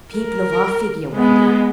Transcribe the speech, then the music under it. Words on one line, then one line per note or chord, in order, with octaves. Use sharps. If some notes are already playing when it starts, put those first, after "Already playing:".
'People of our figure, Wendy.'
A#4
G#3 B3